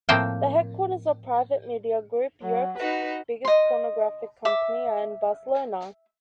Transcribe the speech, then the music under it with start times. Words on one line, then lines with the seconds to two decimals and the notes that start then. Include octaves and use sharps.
The headquarters of Private Media Group, Europe's biggest pornographic company, are in Barcelona.
0.09 A2 F3 A#3 C4 C5 G5
2.42 F#3
2.78 D#4 F#4 B4
3.45 D#5 C6
4.45 E5 D6